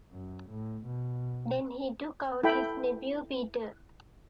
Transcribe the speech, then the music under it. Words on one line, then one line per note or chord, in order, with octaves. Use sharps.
Then he took out his nephew Peter.
F#2
A2
B2
E4 A4 G5 B5